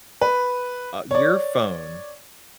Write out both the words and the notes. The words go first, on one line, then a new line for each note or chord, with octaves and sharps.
uh, your phone
B4
C#5 D5